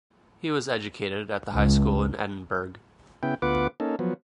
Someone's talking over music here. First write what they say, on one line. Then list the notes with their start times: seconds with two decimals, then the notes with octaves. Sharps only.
He was educated at the High School in Edinburgh.
1.55 C#2
3.23 C#3 B3 E4 G5
3.42 D2 B3 F4 B4 F#5 D6
3.80 A#3 C#4 D#4 A4
3.99 F3 F#3 B3